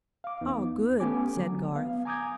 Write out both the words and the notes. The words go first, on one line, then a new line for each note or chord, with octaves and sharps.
"Ah, good!" said Garth.
F5 D6
E2 B3 D#4
A3 B3 C#4 G4 G#5 D6
D3 F#3
B3 F5
G#5 A#5 D6 D#6 G6 G#6